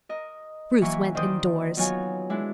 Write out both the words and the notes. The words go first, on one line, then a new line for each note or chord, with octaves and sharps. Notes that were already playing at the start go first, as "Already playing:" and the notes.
Ruth went indoors.
A#4 D#5
E3 F#3 A#3 E4 C#6
D#3 C5 D5 D#6 G6
F#3 B3 D#4 F4 C#5 G#5
G#3 D4 E4